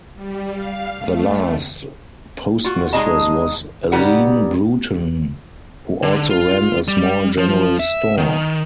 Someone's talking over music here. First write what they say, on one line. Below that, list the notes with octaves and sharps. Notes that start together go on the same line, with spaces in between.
The last Postmistress was Allene Bruton, who also ran a small general store.
G3
F5
A3
F4 F#4
G#3 D#4 F4 G#4 D#5 A5
C#3 G3 D#4 G4 B4 F#5
D3
F4
G3
F3
E5
D#3